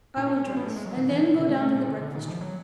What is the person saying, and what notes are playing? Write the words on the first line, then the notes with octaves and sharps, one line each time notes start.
I will dress, and then go down to the breakfast-room.
A#2 D4
D4
C#4
C4
A2 B3
A3
G#3
F#3
A#2 D#3
E3
D#3
B2 D3
G#3
A3
A#2 G#3
D3
D3
A#2 D#3
F3
F#3